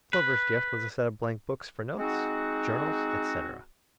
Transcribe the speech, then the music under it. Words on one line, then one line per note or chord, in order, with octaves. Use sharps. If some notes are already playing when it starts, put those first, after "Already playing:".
Clover's gift was a set of blank books for notes, journals, etc.
B4
G#3 C4 D#4 F#4